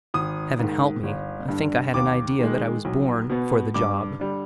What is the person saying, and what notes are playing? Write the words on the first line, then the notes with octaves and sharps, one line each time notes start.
Heaven help me, I think I had an idea that I was born for the job.
G#1 D#6
G#2 D#3
G1
G2 D3
D#2 D6
D#3 G#3
B1
B2 B3
G2 D6
D3 G3